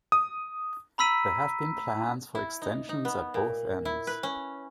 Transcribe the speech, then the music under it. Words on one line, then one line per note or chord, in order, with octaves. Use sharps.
There have been plans for extensions at both ends.
D#6
A#5 B5 E6 B6 D#7
E4
D#4
D#4
B3
A#2
E4
B4
C#4